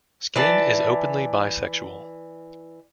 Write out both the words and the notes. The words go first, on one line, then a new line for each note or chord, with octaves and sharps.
Skin is openly bisexual.
E3 D5 A5